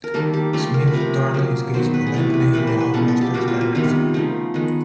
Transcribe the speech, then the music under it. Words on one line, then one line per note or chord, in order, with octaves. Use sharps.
Smith turned his gaze politely in the housemaster's direction.
A#4
D#3 G3 A#3 A4
G4
C#3 F3 A3 A4
A#4
B4
C3 F3 A3
A#4
C#3 F#3 A#3
D#3 F#3 B3 C5
B4
G#4
C3 E3 A3 A4
B4
E3 G3 A#3 B4
C5
B4
C#3 F3 G#3 B3 A4
A4
G4
B2 G3 A#3 F#4
F4
F4
C3 D#3 G3 B3
C#3 F3 A3 D#4
D#3 G#3 B3